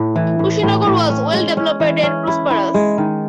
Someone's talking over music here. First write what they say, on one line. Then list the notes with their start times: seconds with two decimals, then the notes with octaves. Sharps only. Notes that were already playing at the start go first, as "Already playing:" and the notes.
Kushinagar was well developed and prosperous.
Already playing: A2
0.16 E3
0.39 A2
0.63 A2
0.87 A2
1.10 C#4
1.33 G#3
1.57 C#4
1.80 E3
2.03 C#4
2.27 E4
2.50 E4
2.74 G#3
2.98 D#3